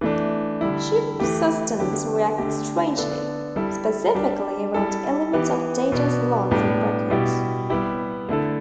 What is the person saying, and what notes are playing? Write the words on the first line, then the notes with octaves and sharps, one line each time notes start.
Ships systems react strangely, specifically around elements of Data's logs and records.
E3 A3 D4
D3 G3 E4
E3 A3 G4
D3 B3 G4
D3 A3 G4
D3 B3 D4 A4
G3 E4 A4
G3 D4 G4
G3 E4 A4
E3 B3 G4
B2 B3 D4
A2 G3 B3 D4 G4
B2 G3 E4 G4
G3 B3 E4 G4
D3 A3 E4 A4